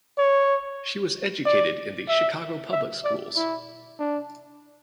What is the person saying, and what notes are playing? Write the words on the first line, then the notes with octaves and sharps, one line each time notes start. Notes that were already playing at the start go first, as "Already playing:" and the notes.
She was educated in the Chicago Public Schools.
C#5
D5
E5
E5
D5
E4
D4